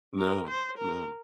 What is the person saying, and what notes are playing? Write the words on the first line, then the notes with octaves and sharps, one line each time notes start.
No. No.
A#4
C5
A#4